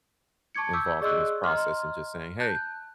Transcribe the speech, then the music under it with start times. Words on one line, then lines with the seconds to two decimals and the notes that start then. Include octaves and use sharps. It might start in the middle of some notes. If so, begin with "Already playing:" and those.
involved in this process, and just saying, "Hey,
0.55 A5 C#6 D6 G#6 C#7
0.73 D6 E6 G6 B6
1.01 G#4 D5 D#5 C6 E6 F#6
1.44 D#5 A#5 C6 F6
2.40 A5 F#6 G6